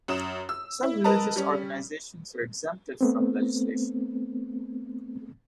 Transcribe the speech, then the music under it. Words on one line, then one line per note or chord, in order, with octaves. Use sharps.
Some religious organizations are exempted from legislation.
F#2 D#6 E7
E6
E4
A#4 B4 D#5 A5 A#5
G3 C#4
A3 B3 C4